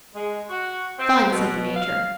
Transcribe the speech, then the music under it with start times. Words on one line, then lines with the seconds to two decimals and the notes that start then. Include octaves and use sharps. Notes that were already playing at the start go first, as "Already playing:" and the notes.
"Fine," said the Major.
0.15 G#3
0.50 F#4
0.99 C4
1.31 B2
1.76 F5